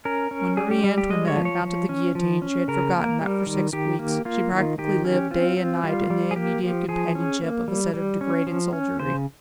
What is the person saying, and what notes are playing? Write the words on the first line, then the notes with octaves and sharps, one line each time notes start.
When Marie Antoinette mounted the guillotine she had forgotten that for six weeks she practically lived day and night in the immediate companionship of a set of degraded soldiery.
C#4 A#4
C#4
G3 G#4
G4
G3
G4
G#3 D#5
C#5
F3
C#5
F3
C#4
F3
C#4
C#3 A#4
A#3
G3
D#3
D#3 G4
A#3
A#3 F4
D#3
D#3 G4
C#4
C4 F4
C4
G3 F4
G3
G#4
A#3 G4
F3
F3 G#4
C#4
A#3
G3
G3
C#4
F3
C#4
C#3 C5